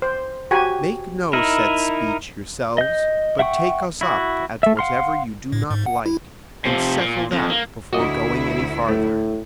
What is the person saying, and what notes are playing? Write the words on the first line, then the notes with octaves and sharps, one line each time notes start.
Make no set speech yourselves, but take us up at whatever you do not like, and settle that before going any farther.
C5
F#4 G4 G#5
D#4 E4 A#4
D#5 G6
E5 F#5 G5 C#6
E4 F#4
A3 E5
F5 F#5 C6 F6
A2
G#2
F#5
E4
C3 F3
A#2
F2
A#3
D2 E4 F#4 D5 D#5
A2 A3